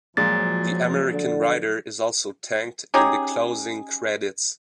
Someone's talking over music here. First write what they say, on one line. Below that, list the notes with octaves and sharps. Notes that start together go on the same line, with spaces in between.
The American writer is also thanked in the closing credits.
A#2 F3 F#3 G#3 A6
D3
C#4 D#4 G4 G#4